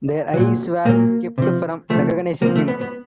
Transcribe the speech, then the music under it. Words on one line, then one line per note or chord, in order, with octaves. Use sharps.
Their eyes were kept from recognizing him.
A#2 F#3
A#2 F#3 A#3
C3 F3
C3 F3 A3
C3 F3 A#3
A3
B3
B3